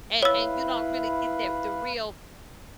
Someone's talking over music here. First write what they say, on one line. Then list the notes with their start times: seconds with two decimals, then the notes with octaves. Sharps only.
and and you don't really get that the real
0.23 E4 B4 C#5 F5 B5 E6